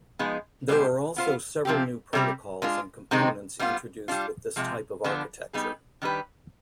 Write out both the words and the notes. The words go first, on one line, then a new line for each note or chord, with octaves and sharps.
There are also several new protocols and components introduced with this type of architecture.
F3 G#3 B3 D#4 G#4
B2 G#3 D4 G4 C5
B3 F4 C5
C3 F3 C4 G4
C3 G3 C4
G#3 D4 F4
C3 D#3 G#3 C4 D#4
G3 B3 D4 F4
G3 D4 F4
C3 F3 G#3
D3 F3 B3 D4
G3 B3 D#4 G#4
D#3 G3 D4 G4 B4